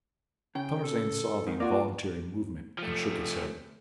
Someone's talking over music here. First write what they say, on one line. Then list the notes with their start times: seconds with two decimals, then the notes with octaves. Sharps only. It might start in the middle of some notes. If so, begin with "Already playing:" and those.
Tarzan saw the involuntary movement and shook his head.
0.55 C#3 G5
0.83 A4
1.47 G#2 D#3
1.60 A#3 F4 F#4 D5
2.78 F3 A3